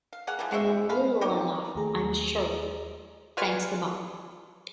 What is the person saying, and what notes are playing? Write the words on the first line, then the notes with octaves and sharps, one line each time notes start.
I know little enough, I am sure, thanks to Ma!
F5
A#3 G#4 F5 F#5
E3 F3 G3 G#3
C#4 F#4 C5 E5
G#3 F5 B5
D#4 G4 C#5
D#2 A3 G#4 A#5
F4 F#4 B4 D5 G#5 F6